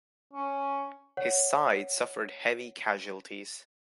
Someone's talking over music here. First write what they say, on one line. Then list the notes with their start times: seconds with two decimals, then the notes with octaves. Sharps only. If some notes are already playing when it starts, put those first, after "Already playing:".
His side suffered heavy casualties.
0.33 C#4
1.17 C#5 F#5